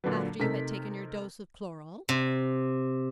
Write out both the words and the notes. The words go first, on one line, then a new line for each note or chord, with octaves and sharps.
"After you had taken your dose of chloral?"
A#2 D3 F#3 D4 B4
C3 A3 D#4 A#4 B6
C3